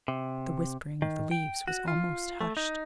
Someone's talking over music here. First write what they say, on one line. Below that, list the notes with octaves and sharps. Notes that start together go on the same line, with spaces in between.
The whispering of the leaves was almost hushed.
C3
D#3
G5
F#4
F4
A3
D#4